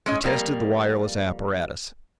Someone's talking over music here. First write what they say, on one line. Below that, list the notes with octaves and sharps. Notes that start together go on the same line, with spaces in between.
He tested the wireless apparatus.
G#3 C#4 D#5
F2 G3 A#3